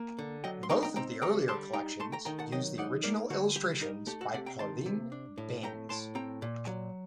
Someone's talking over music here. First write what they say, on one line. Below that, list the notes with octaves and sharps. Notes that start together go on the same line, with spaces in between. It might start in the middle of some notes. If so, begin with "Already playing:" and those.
Both of the earlier collections use the original illustrations by Pauline Baynes.
Already playing: A#3
D3
F#3 D#5 G5
C6
D#4 G5 A#5
G5 A#5
C4 G5 A#5
D3 G5 A#5
G3 A5 C6
D#4 G5 A#5
A3 A5 C6
G5 A#5
D#3 G5 A#5
F#5 A5
F#3 D#5 G5
D#4 D5 F#5
A#3 A#4 D5
D3 F#4
G3 G4
D#4 G4 A#4
A3 G4
F#4 A4
C3 D5 F#5
G5 A#5
D#3 A5 C6
C3
D4
A2
A3 G5 A#5
A2 A5 C6
C4 G5 A#5
A#2
F#3